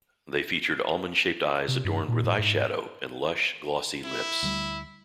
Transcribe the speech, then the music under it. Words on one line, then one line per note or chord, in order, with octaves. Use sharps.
They featured almond-shaped eyes adorned with eyeshadow, and lush, glossy lips.
C3
G2
A#2
A2
G#2
E4
D2 G3